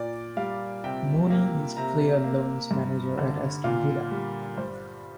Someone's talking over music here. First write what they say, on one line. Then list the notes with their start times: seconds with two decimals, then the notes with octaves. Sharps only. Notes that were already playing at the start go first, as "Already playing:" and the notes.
Mooney is player loans manager at Aston Villa.
Already playing: A#2 D5
0.37 G3 F5
0.84 C3 G5
1.30 A#3
1.77 C3 A#5
2.24 A#3
2.71 G2
3.18 D3
3.64 A#2 F5
4.11 G3
4.57 G2 C5